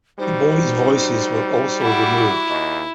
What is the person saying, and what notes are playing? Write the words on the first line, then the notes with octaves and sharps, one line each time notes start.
The boys' voices were also removed.
G3 D#4 F#4 C5
E4 F#4 F#5 D6
D#2 D#5